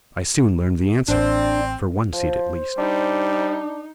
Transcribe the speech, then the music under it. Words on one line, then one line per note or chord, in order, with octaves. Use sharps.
I soon learned the answer--for one seat at least.
A1 C4 D4 D5
F3 C5
G3 D4 D#4